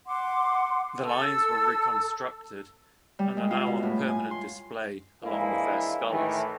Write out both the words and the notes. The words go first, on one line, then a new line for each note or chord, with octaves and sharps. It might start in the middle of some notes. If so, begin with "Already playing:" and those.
The lions were reconstructed and are now on permanent display along with their skulls.
F#5 C6 D6
A4 A5 E6
G3
G#3
F4
B2
A2
G#5
C6
E3 F3 G#3 A#3 D4 E4
A2 D#3 E3